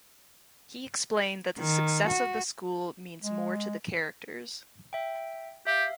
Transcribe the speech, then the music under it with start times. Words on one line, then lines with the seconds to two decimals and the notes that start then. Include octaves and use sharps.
He explained that the success of the school means more to the characters.
1.59 D#3
2.08 F#4
3.22 G#3
4.93 E5 G5
5.67 G4 E5 F5